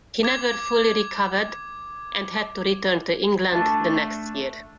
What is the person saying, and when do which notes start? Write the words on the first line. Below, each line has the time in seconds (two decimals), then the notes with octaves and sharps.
He never fully recovered and had to return to England the next year.
0.23 D6 G#6
3.52 A3 D4